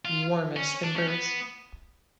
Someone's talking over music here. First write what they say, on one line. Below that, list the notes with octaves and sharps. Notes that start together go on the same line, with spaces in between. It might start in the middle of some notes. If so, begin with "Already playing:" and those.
Warmest embrace.
F4
C#4
D4
C#4
B3